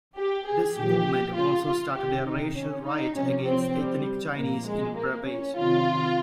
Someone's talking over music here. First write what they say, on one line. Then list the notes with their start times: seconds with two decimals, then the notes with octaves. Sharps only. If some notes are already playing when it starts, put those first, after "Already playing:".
This movement also started a racial riot against ethnic Chinese in Brebes.
0.17 G4
0.46 G#4
0.76 A#2 F3 G4
1.36 F4
1.66 F4
1.96 C3 D#3 G4
2.27 D#4
2.57 C#4
2.86 D#4
3.16 C3 F3 C#4
3.47 C4
3.76 G3
4.37 A#2 F3 A#3
4.67 G#3
4.97 A#3
5.27 C#4
5.57 C3 D#3 F4